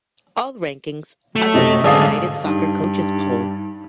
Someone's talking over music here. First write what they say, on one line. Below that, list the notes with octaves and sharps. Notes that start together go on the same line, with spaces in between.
All rankings are from the United Soccer Coaches Poll.
F#3 A3
F#2 C3 D#5
G#2 D3 G#4 A4 D5 F5
G2 D#4